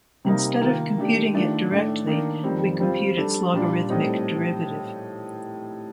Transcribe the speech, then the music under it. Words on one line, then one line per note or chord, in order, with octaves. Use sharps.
Instead of computing it directly, we compute its logarithmic derivative.
C3 G3 A#3 D#4
D#3 A#3 F4 A#4
D#3 A3 D4 G4
D#3 A3 D4 F4
A2 A3 D4
D#3 A#3 D4
F2 D#3 G3 C4
G3 C4 F4
G3 D4 A4
A#2 G3 D4 F4
A2 G3 C4 D#4